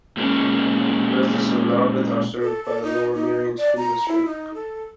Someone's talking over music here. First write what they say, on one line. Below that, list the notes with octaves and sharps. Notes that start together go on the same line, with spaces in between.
Residents of Narberth are served by the Lower Merion School District.
A#2 G#3 A#3 C#4
A4
A4
D#4
D#4
D5
A#5
E4
D#4
A4